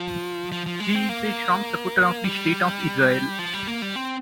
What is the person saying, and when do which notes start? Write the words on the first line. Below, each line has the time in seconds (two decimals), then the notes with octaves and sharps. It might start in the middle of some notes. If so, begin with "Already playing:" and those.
He is a strong supporter of the state of Israel.
Already playing: F3
0.52 F3
0.66 F3
0.80 G#3
0.95 C4
1.09 A#3
2.24 G3
3.39 F3
3.54 G3
3.67 A#3
3.82 G3
3.96 C4